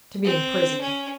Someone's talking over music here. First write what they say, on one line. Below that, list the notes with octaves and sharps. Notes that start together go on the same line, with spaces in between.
To be imprisoned.
C4
C#4